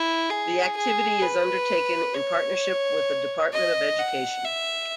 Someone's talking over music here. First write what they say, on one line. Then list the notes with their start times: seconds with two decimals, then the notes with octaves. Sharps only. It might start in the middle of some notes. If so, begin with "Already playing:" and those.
The activity is undertaken in partnership with the Department of Education.
Already playing: E4
0.30 G#4
0.76 G#4
1.22 B4
2.14 C#5
3.53 D#5
3.99 F#5
4.44 E5